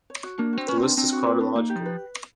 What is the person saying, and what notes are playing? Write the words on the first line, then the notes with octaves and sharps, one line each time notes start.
This list is chronological.
C#5
F#4
A#3 D4
C4 F#4
C#4 B4
C4 D4
C4 D4
F#4
B4
D4
A#3 D#4
G4
F3
B4